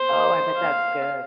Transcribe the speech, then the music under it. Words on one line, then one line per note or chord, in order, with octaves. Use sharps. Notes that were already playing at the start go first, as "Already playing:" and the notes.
Oh, I bet that's good.
Already playing: C5
F5